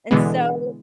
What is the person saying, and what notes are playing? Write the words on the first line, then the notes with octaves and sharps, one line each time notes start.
and so
B2 D3 E3 G#3 B3